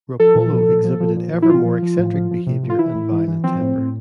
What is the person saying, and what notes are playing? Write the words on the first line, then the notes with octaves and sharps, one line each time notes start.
Roppolo exhibited ever more eccentric behavior and violent temper.
F3 A4
A#2
F3
A#2
F3
F3
A#2
A#2
E4
F3 F4
F3
F3
A2
F3
F3
C3
F3
F4
E3 E4
A2
E3
E3
F3 C4
A2
A2